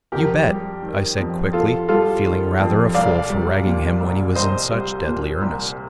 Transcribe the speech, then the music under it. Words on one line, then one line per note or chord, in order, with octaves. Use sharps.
"You bet!" I said quickly, feeling rather a fool for ragging him when he was in such deadly earnest.
F2 G4 A#4
G3
D#3
F2
F2 F4 A4
G3 F4 A4
D#3
F2
C2 D5 F5
G3
A#2
C2
C2 C5 D#5
G3
A#2
C2